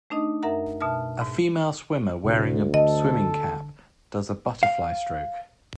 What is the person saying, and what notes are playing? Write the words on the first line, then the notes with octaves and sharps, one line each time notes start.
A female swimmer wearing a swimming cap does the butterfly stroke.
A3 D4 D#4 D#5
F#2 A#4 E5 F#5 A#5
B2 E5 A5 F6
G#2
D2 C3
D3 A4 D#5
F5